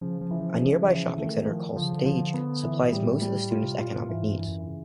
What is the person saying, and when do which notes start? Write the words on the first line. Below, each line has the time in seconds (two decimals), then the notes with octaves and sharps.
A nearby shopping centre called "Stage" supplies most of the students' economic needs.
0.01 C#3 F3
0.21 F3
0.31 E3
0.40 F3
0.60 C#3
0.89 E3
1.18 D#3 A3
1.47 F3
1.76 D3 F3
1.84 C#3
1.93 D3
2.05 F3
2.34 B3
2.63 E3
2.84 A#2
2.92 A2 G3
3.22 G3
3.50 F4
3.62 C3
3.75 B2 F4
3.86 A#2
3.97 A2
4.08 G#2 E3
4.28 G2
4.37 E3
4.48 F#2
4.67 C#3